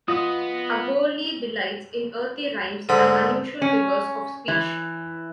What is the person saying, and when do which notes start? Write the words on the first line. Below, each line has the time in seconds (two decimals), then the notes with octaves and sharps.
Agolli delights in earthy rhymes and unusual figures of speech.
0.08 B3 F4 D#5 D#6
2.89 G#2 D3 B5
3.62 C#4
4.48 E3